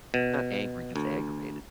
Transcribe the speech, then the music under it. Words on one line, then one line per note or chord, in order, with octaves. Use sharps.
not angry, just aggravated.
B2
D2